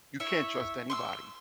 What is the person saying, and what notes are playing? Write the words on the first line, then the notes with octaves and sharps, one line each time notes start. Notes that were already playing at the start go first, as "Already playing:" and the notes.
you can't trust anybody,
E4 C#5 E5
C6 C#6 E6